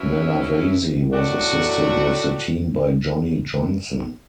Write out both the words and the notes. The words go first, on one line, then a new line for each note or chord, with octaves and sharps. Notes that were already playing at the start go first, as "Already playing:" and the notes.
Malavasi was assisted with the team by Johnny Johnson.
Already playing: B2 F#3 C#4 E4
A2 F#3 A3 D4 F#4